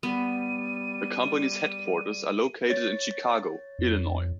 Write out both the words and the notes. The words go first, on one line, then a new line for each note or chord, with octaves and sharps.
The company's headquarters are located in Chicago, Illinois.
G3 B3 D#7
C#5 A6
F2